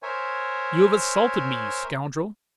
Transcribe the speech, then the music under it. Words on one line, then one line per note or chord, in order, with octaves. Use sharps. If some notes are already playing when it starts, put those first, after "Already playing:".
"You have assaulted me, you scoundrel!"
A#4 C5 C#5 E5 G#5